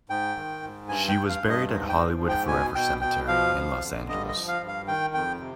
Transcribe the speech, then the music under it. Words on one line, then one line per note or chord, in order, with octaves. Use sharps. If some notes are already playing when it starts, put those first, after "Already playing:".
She was buried at Hollywood Forever Cemetery in Los Angeles.
G#2 G5
D#3
G#2
G2 G#5
G5
G2
F5
G2
D#5
G#2
G5
F3
G#2
G5
B2 G#5
B2 G5
B2 G5
F3 F5
F2
D3
G2 D#5
D#5
F3
F5
G2
F5
D#3 G5
F2 G5
C3